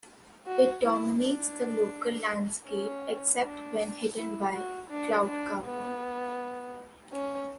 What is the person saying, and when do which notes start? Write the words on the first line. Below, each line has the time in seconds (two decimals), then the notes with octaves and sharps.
It dominates the local landscape except when hidden by cloud cover.
0.47 F#4
0.84 E4
1.21 D4
2.68 C#4
3.42 D4
4.17 E4
4.53 F#4
4.91 D4
5.28 D4
5.65 B3
7.13 C#4